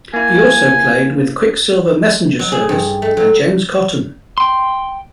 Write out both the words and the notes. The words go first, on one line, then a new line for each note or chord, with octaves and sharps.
He also played with Quicksilver Messenger Service and James Cotton.
A#3 E4 G#5
F#3
G#4
G2
A3
F#3
G5 C6